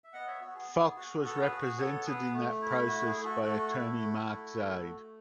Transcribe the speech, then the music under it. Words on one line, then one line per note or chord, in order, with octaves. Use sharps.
Fox was represented in that process by attorney Mark Zaid.
E5
B3 D#5 F#5
C#5 E5
B3 F#4
G#4
B3
F#4
B3 F#4 A4
G#4 B4
F#4
G#4
B3 A4 C#5
B3 G#4 B4
A3
E4
A3 F#4
G#4
A3
F#4 A4
A3 F#4 A4
E4
A3
E4
A3
A3